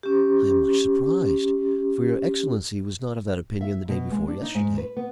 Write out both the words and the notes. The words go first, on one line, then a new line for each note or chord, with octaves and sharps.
"I am much surprised, for your excellency was not of that opinion the day before yesterday."
C#4 G4
E5
B2
G#3
D4
D#4
G#2
B4
B3